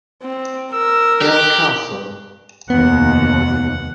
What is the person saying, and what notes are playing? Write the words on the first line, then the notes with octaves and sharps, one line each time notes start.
El Caso.
C4
A#4 E6
G4 F#6
F1 D#2 B3 F#5